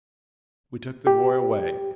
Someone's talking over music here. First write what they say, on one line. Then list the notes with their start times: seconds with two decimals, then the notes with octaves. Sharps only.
We took the boy away.
1.07 G4